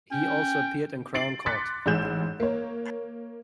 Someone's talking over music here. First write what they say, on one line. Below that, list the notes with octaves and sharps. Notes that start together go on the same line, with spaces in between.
He also appeared in Crown Court.
C#4 G5
A6 C7 D7 F#7
C6 D6 F#6 A6 B6 C#7
A1 G#2 G#3 G#4 G6 E7
A#3 C#5